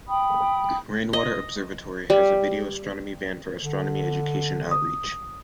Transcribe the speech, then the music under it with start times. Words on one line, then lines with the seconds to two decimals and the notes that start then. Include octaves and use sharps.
Rainwater Observatory has a video astronomy van for astronomy education outreach.
0.07 G5 B5 D#6
1.13 D#5
2.10 G3
3.61 D3
4.71 D#6